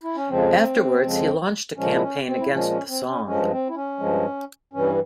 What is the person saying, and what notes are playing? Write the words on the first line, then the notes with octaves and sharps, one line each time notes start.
Afterwards he launched a campaign against the Song.
E4
C#4
F2 C#3 F3 G#3 C4
F2 C#3 F3 G#3
A#2 F3 G#3 C#4
E4
C#4
C4
E4
A#2 F3 G#3 C#4
C#4
C4
C#4
G2 F3 G#3 C#4
C4
E4
C#4
G2 F3 G#3
G2 E3 G3 C#4